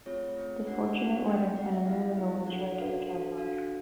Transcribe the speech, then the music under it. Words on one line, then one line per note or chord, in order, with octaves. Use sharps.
The fortunate weather and a moon alone ensured their return alive.
A3 C4 F4 G#4 C#5
A3 C4 F4 G#4
D4 G4 F#5
D4 G4
C4 D#4 G#4 G5
C4 D#4 G#4 F#5
E5
B3 E4 G#4 F5
B3 E4 G#4
D4 F#4 A4 F#5
D4 F#4 A4 F5
D4 F#4 A4
D4 F#4 A4 F5